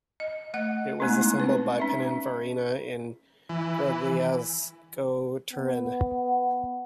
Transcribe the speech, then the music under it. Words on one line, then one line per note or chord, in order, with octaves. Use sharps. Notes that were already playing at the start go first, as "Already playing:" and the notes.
It was assembled by Pininfarina in Grugliasco, Turin.
D#5
A3 D#5 F#5
G#3 A3 B3 C#4 E4
D#4
C4 B4
C#4 D#4 E5
E3
B3